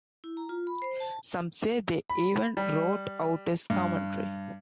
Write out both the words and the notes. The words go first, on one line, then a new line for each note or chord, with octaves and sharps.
Some say they even wrote out his commentary.
E4
A#5
F4
B5
C5
A5
B5
G3
G2